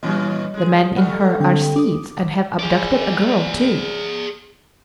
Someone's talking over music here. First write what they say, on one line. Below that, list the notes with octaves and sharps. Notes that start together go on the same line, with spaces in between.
The men in her are thieves and have abducted a girl, too.
A#2 E3 G3 C#4 D#5
G#3 G#4
G3 A3 F#5 B5 F6
D3 C4 G5
D6 D#6
G#4 D5